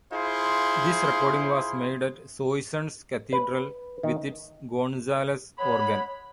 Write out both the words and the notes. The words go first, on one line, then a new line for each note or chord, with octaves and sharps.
This recording was made at Soissons Cathedral with its Gonzales organ.
E4 F4 G#4 C5 C6
B4
D#3
G#3 C#5 F#5 B5